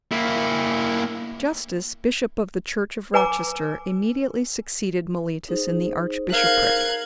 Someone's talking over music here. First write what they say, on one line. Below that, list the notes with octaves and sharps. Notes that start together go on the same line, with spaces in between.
Justus, bishop of the church of Rochester, immediately succeeded Mellitus in the archbishopric.
A#3 E4
B4 G#5 A#5 D6
D#4 G#4 C5
A#4 F5 F#6 G#6